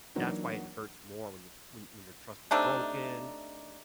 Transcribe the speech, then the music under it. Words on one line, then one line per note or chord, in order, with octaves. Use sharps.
that's why it hurts more when you when when your trust is broken,
E3 F#3 A#3 D4 D#4
C3 A3 D4 D#4